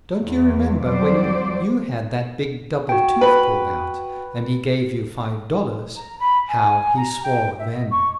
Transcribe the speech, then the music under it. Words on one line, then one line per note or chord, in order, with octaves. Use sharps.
Don't you remember when you had that big double tooth pulled out, and he gave you five dollars, how he swore then?
E2
F2 F#3 G3 C5 D5
F#4 G5
B4 B5
A#5
B5
G#5
A#5
G5
E5
D#5
C#6